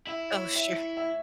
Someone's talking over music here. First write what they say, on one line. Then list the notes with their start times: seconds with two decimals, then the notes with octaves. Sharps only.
Oh, sure.
0.07 E4 E5
0.31 C#5
0.55 E5
0.97 E5